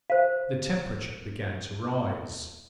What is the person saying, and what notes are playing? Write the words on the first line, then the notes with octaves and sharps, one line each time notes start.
The temperature began to rise.
C5 F5